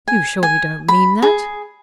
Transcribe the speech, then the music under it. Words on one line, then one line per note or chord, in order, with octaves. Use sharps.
"You surely don't mean that?"
G#5
G#5
B5
G#4